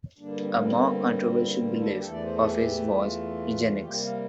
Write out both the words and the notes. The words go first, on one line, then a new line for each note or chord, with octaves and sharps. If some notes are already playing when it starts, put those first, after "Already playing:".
A more controversial belief of his was eugenics.
G2 D3 G3 A#3 D4
C4
C4
F4
A4
G4
E2 E3 A3 A4
D5
C5
A4
G4
F4
C3 G3 A#3 G4
F5